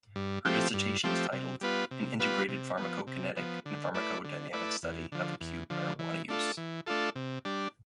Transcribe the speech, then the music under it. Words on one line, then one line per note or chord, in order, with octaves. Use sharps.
Her dissertation was titled "An integrated pharmacokinetic and pharmacodynamic study of acute marijuana use".
G2
F3 A3 C4 G4
G2
F3 A3 C4 G4
C3
G3 B3 F4 B4
C3
G3 B3 F4 B4
C3
F3 B3
C3
F3 B3
D3
A3 E4 B4 D5
D3
A3 E4 B4 D5
E2
D3 F3
E2
D3 F3
E3
A3 D4 F4 A4
E3
A3 D4 F4 A4
C3
G3 D4